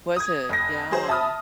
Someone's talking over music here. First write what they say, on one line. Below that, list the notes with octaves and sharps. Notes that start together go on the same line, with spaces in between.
Was it, yeah,
D#6 G#6
F1 A#6
F#3 G#4 C5
E5 A5 B5 D#6 F6